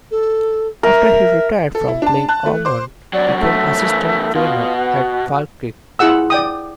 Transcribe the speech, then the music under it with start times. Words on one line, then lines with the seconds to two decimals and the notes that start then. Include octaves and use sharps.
After he retired from playing, Ormond became assistant trainer at Falkirk.
0.11 A4
0.83 A#4 E5
1.75 A4
1.88 E4
2.02 D4 A5
2.29 A5 F#6
2.46 A3
2.65 C5 D6
3.13 E2 F#3 D5
3.40 A3
3.77 C#3 E3
4.35 B2 F4
4.77 F#4
5.99 E4 F4 G#4 F#5 E6
6.30 D5 G5 D#6